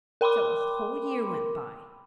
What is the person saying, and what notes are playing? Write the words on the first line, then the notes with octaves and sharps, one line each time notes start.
So a whole year went by.
A#4 G5 B5 C6 D6